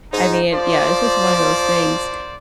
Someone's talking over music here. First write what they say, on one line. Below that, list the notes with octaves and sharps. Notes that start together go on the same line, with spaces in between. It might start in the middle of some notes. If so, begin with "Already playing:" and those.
I mean, yeah, it's just one of those things,
G#2 D#4
F3 A#3 C5 D5